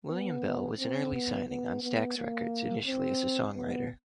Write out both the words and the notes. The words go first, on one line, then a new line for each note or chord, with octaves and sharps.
William Bell was an early signing on Stax Records initially as a songwriter.
B3
C4
B3
B3
B3
A#3
C4
B3